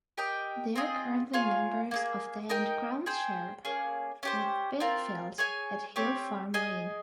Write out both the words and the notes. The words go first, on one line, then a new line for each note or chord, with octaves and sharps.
They are currently members of the and groundshare with Binfield at Hill Farm Lane.
G4 A#4 D#5 G5
C4 F4 G#4 D#5
F4 G#4 C#5 F5
A#3 D#4 G#4
D#4 A#4 D#5 G5
G#4 C5 G5
A#3 C#4 G#4
C#4 G4 C5
C4 F4 A#4
G#4 C#5 G#5
C4 G4 C#5
G#4 D#5 G#5